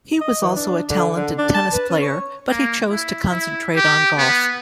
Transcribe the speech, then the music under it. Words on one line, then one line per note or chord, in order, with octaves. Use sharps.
He was also a talented tennis player, but he chose to concentrate on golf.
D#5
E3
D4
D3
D3
D4
A5
B4
C#4
C#5
A#3
E4
E4
G4
B3